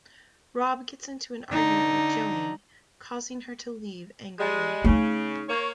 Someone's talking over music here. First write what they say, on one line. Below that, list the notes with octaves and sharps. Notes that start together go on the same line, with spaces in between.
Rob gets into an argument with Joanie, causing her to leave angrily.
D3 D#4
G3 G#3
C#3 A3 D#4
A#3 C#5